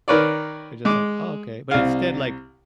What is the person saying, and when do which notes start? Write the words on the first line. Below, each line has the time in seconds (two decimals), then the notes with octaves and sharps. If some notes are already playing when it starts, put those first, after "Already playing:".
They're just, like, "Oh, okay." But instead, like
0.08 D#3 A#4 B4 C#5 D5
0.85 G#3 D6
1.71 C2 F5